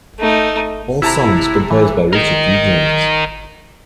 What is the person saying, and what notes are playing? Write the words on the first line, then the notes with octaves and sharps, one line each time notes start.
All songs composed by Richard D. James.
A3 D#4
C3 E4 A5 A#5
E3
A#4 D#5